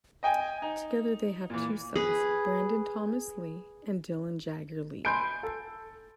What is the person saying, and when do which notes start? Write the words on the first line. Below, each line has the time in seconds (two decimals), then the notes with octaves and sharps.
Together they have two sons, Brandon Thomas Lee and Dylan Jagger Lee.
0.23 D#5 G5 G#5
0.62 D#4
1.50 A#2 E3
1.96 G#4 B4
5.05 G#5 B5 C6 G6 D7
5.43 A4